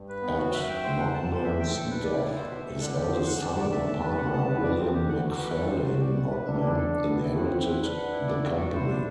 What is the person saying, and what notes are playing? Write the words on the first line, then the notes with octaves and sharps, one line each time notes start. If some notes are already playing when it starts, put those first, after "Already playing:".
At Notman's death, his eldest son and partner, William McFarlane Notman, inherited the company.
Already playing: G2
B4
B3
F#4
F#2 E5
G5
C5
G2 F#5
A5
C5
A2 E5
G5
A4
B4
D5
E4
B2 C5
E5
A4
D3 F#5
G4
C5
D3 F#5
A5
D5
E5
A5
B4
B2 F#5
A5
B4
D5
C4
G4
E3 F#5
F#4
B4
F#3 A4
C5
F#4
G3 D5
F#5
B4
D4 E5
E4
A4
A4
B3
E4
C4 F#5
E4
B4
D4 B4
F#5
E4
D5
F#4
A4
E4 C5
D4